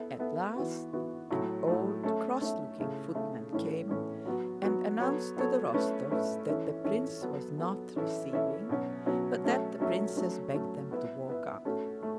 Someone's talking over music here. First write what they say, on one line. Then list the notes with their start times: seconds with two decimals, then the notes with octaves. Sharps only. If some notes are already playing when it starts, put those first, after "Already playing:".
At last an old, cross looking footman came and announced to the Rostovs that the prince was not receiving, but that the princess begged them to walk up.
Already playing: B3 E4 A4 E5
0.19 B3 E4 A4 E5
0.56 E3 B3 F#4
0.93 E3 B3 F#4
1.30 A2 F#3 A3
1.67 A2 F#3 A3
2.03 A3 C#4 A4 E5
2.41 A3 C#4 A4 E5
2.78 C#3 A3 E4
3.15 C#3 A3 E4
3.52 A2 E3 C#4 A4
3.89 A2 E3 C#4 A4
4.26 F#3 B3 F#4
4.62 F#3 B3 F#4
5.00 F#3 B3 A4 C#5
5.37 F#3 B3 A4 C#5
5.73 A3 C#4 E4 B4 E5
6.11 A3 C#4 E4 B4 E5
6.48 E3 C#4 A4 E5
6.84 E3 C#4 A4 E5
7.21 F#3 B3 A4
7.58 F#3 B3 A4
7.96 E3 C#4 E4 A4 E5
8.32 E3 C#4 E4 A4 E5
8.69 B2 F#3 C#4
9.06 B2 F#3 C#4
9.44 F#3 A3 C#4 A4 E5
9.80 F#3 A3 C#4 A4 E5
10.17 F#3 A3 C#4
10.54 F#3 A3 C#4
10.91 B3 E4 B4 E5
11.28 B3 E4 B4 E5
11.65 A3 C#4 F#4 A4
12.03 A3